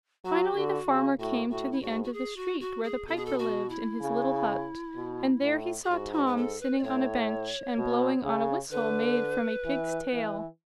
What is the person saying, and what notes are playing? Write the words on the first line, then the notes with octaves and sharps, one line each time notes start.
Finally the farmer came to the end of the street where the piper lived in his little hut, and there he saw Tom sitting on a bench and blowing on a whistle made from a pig's tail.
F#3 F#4
D3
C#3
A2 F#4
A2 F#4
E4
G#2 F#4
F#4
G#4
F#4
F#4
G#4
B2 A4
G#4
A4
F#4
E4
C#3
B2
A2
G#4
G#2 F#4
F#4
B4
A4
B4
D5
A2 C#5
B2
C#3
D3 B4
E3
E3